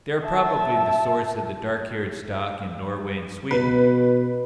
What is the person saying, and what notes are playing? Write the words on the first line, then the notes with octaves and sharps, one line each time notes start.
They are probably the source of the dark-haired stock in Norway and Sweden.
E5 A5
B2 B4